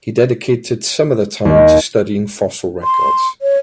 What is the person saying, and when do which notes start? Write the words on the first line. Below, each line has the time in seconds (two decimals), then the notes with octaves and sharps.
He dedicated some of the time to studying fossil records.
1.45 D#2
2.83 C6
3.42 C#5